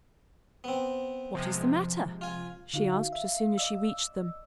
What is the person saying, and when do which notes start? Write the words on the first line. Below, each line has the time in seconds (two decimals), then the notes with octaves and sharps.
"What is the matter?" she asked as soon as she reached them.
0.64 B3 C4
1.35 C3 F3 G#3
2.21 F4 G#5
2.74 D3 D#4 F#4 F5
3.12 E5
3.58 D5 D#5 E6